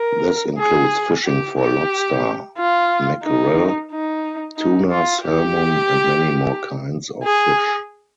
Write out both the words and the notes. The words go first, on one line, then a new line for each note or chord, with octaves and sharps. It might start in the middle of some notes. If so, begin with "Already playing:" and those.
This includes fishing for lobster, mackerel, tuna, salmon and many more kinds of fish.
Already playing: A#4
G#4
G4
G4
F4
D#4
D#4
D#4
F4
G4
G#4